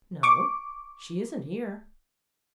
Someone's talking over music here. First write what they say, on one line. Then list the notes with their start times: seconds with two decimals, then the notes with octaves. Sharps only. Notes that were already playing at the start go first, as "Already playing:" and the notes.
"No; she isn't here."
0.23 C#6 D6